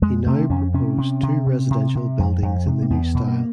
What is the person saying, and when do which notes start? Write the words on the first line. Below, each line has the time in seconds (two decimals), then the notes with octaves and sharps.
He now proposed two residential buildings in the new style.
0.02 F2 G#3
0.27 C3 A3
0.42 D4
0.50 F2 C#4
0.74 C3 C#4
0.98 C3
1.23 C3
1.46 C3
1.71 C3
1.95 C3
2.19 F2
2.42 F2
2.67 C3
2.82 A#3
2.90 E2 B3
3.15 B2
3.27 A#3